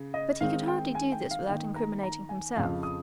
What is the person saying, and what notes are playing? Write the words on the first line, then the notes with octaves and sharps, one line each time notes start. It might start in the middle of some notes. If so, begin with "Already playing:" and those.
But he could hardly do this without incriminating himself.
Already playing: C#3
D#5
D#3 G#3 C4 D#4 F5
G5
G#5
G5
F5
D#3 A#3 D#4 G5
A#5
A#5
G#5
F2 C#3 F3 F5
D#6